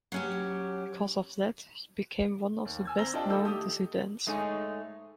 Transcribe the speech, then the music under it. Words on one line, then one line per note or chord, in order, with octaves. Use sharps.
Because of that he became one of the best known dissidents.
F#3 C#4 G4
D#2
G#5 E6 G#6
C4 A#5 E6 A#6 G7
D4 F4 G4 D#5 G5 A5
D#3 A3 E6 G6
G4 A4 D#6
G#2 G#3 A3 D#4 C#5 G#5